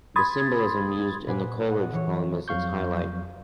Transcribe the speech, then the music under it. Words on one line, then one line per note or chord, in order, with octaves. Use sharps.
The symbolism used in the Coleridge poem is its highlight.
B5 C6 D#6 G#6 A6
A#2 B4 C5 F#5 G#5 D6
D#5 F#5
E3 C#5
F2 F#3 F5 C#6 G6